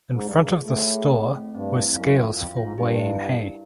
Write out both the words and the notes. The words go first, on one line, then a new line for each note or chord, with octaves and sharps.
In front of the store were scales for weighing hay.
G#2 C#4
G2
F#2 G#4
G2
F4
A2
G#4
G#4
C4
A3
G2 C4
E4
F2
F#2 F5
F4
F2 F5
F4
G#2
G2 G4
E4
E4
A#4